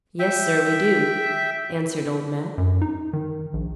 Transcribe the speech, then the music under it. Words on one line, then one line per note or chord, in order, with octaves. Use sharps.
"Yes, sir, we do," answered Old Matt.
E5 G5
F#2
D#4
D#3
A#1